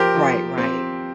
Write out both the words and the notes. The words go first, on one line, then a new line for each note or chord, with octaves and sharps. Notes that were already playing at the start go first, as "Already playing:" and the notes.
Right, right.
Already playing: F3 G4 A#4 C5
F3
C4